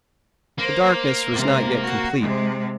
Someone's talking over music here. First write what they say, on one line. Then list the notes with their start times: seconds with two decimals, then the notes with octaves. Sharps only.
The darkness was not yet complete.
0.59 A#3 C5
1.33 C3 G#3
1.81 F#4
2.21 C3 G#3